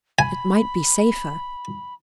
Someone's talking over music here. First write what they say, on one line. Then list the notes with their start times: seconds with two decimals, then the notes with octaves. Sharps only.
It might be safer.
0.19 G#5 B5